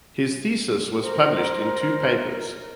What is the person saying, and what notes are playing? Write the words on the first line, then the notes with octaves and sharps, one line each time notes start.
His thesis was published in two papers.
A#4 C5